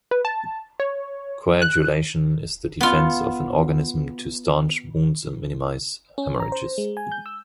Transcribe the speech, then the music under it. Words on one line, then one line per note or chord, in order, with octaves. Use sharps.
Coagulation is the defense of an organism to staunch wounds and minimize hemorrhages.
B4
A5
C#5
F#6
B3 F4
C#4
A#5
C5
G#3
G#5
G6
E6